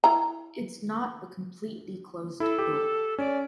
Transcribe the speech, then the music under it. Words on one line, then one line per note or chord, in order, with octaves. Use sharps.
It's not a completely closed door.
E4 A#5
E4 A4
G4
C#4 D5